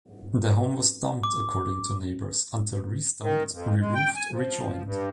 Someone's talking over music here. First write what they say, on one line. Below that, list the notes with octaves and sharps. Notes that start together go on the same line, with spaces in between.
The home was "dumped" according to neighbours, until restumped, re roofed, rejoined.
D6
D#3
F2
G#3
G5
G#5
F3
G2